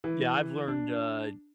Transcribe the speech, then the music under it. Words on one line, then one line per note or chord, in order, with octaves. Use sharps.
Yeah, I've learned, uh,
E3
D4